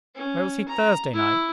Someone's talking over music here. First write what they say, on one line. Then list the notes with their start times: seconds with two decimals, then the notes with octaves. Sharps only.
Where was he Thursday night?
0.15 C#4
0.69 A#5
1.14 E4